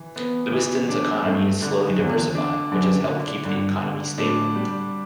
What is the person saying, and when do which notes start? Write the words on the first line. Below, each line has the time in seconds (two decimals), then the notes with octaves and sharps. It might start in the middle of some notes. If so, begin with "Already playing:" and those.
Lewiston's economy is slowly diversifying, which has helped keep the economy stable.
Already playing: E3
0.16 B3
0.52 E3
0.89 D4
1.25 G2 A3
1.62 D3
1.89 F#2
1.99 E2 D3
2.35 D4
2.72 F#2 D3
3.08 D3
3.45 G2 D3
3.82 D3
4.18 A2 D4
4.55 G3